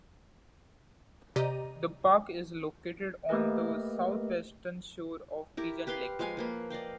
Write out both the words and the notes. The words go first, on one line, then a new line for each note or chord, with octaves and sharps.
The park is located on the south-western shore of Pigeon Lake.
C3 G4 D5 D#5 A#5 D#7
A3 A#3 G4 A#4 B4 D#5
E4 G4 A#4
G4 B4 F5 C6
F3 G#3 F5 G#5
F3 A#3 B4
D5 D#5 F5 G5